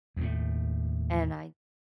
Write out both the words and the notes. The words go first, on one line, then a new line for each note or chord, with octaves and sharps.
and I,
D#2 A2